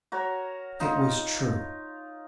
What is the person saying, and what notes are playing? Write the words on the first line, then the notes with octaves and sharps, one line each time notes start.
It was true.
F#4 A#4 C#5
D#4 F4